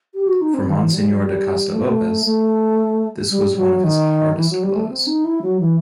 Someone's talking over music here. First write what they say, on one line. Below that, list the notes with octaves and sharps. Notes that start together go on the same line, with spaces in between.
For Monsignor da Costa Lopes this was one of his hardest blows.
G4
F#4
D#4
C4
D#3
E3
G3
F#3
G3
A3
B3
A3
A3
G3
F#3
D#3
E3
F#3
G3
A3
C4
D#4
E4
F#3
E3